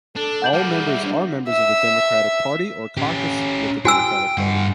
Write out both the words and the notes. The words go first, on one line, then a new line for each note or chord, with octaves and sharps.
All members are members of the Democratic Party or caucus with the Democratic Party.
D4 A4
F#5 G6 F#7
G3 A#3 A5
G#4
E5
D4
E5
C#4 G4
F#4 G5 G#5 E6
G2 F#5